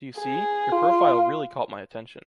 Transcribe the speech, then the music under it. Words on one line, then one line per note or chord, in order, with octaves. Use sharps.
Do you see? Your profile really caught my attention.
G#4
F4